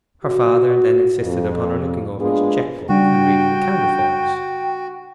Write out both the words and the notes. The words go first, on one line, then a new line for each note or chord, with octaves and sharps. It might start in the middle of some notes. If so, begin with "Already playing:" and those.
Her father then insisted upon her looking over his checkbook and reading the counterfoils.
F#4
F2
G#3 A#3 B3 D4 F4 G#4
C#3 G3 D4 F#4 G5